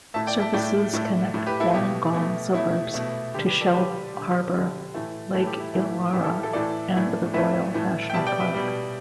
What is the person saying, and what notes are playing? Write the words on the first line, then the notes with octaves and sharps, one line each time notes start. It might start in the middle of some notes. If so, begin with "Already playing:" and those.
Services connect Wollongong suburbs to Shellharbour, Lake Illawarra and the Royal National Park.
A2 A3 E5 A5
D5 G5
E5 A5
A2 A3 D5 G5
A2 A3
A2 A3
G4 B4
E4 A4
B2 A3 G4
B2 A3
B2 A3 E4
B2 A3
D3 G3 G4
G4 B4
A4 D5
D3 G3 G4 B4
D3 G3
D3 G3
A2 E3 A3
A2 E3 A3 E4 A4
G4
E4
A2 E3 A3
A2 E3 A3 G4
E4 A4
G4
E4 A4
A2 E3 A3 A4 D5
A2 E3 A3
A2 E3 A3 B4 E5
A2 E3 A3
G5
B2 G3 E5 A5
D5 G5
B4 E5
B2 G3